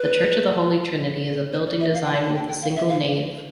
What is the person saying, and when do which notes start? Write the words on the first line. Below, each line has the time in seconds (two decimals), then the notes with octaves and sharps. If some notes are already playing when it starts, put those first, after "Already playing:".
The church of the Holy Trinity is a building design with a single nave.
Already playing: B4
1.53 C5
1.67 D5
1.80 E5
1.94 F5
2.04 G5
2.14 A5
2.25 A5
2.35 G5
2.48 G5
2.62 F5
2.76 E5
2.89 F5